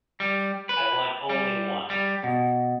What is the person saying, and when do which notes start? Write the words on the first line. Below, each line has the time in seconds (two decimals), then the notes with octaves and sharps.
I want only one.
0.20 G3
0.69 B4
1.29 G3
1.90 G3
2.23 B2